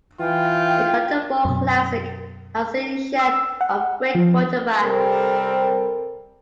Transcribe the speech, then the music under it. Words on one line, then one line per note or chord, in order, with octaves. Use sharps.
The Cotton Bowl Classic has seen its share of great quarterbacks.
E3 F4 G5
F#2 B2
E6
F#5
F3
C3 G3 C4 A4 A#4